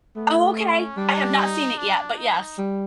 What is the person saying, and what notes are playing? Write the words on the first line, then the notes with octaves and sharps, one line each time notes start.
Oh, okay. I have not seen it yet, but yes.
A3 B3
C#4
G3 D4
D#4
D4
D#4
G3